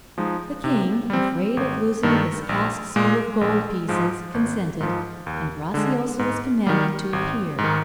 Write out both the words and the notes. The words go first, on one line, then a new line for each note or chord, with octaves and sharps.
The king, afraid of losing his casks full of gold pieces, consented, and Graciosa was commanded to appear.
F3 G#3 D#4
C3
G3 C4
G#1
G2 D#3
A#1
A#2 G#3
A#1
G#2 F3 G#3
G#1
G#2 F3
D#2
D3 G#3
G#2
D#3 G3
G#1
G#2
D#3